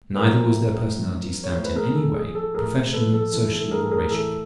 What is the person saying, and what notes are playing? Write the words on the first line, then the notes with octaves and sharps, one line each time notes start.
Neither was their personality stamped in any way, professionally, socially or racially.
B4
F3 A#4 C5
A2
A2
F3
F3
C#5
A2
C5
B4
A2 G#4 A#4
A4
F3
G#4
F3
A4
A2 G#4 A#4
A2
A4 B4
F3
A4
E3 A4
A4
A2
G#4 A#4
A2 A4
G#4 A#4
E3 A4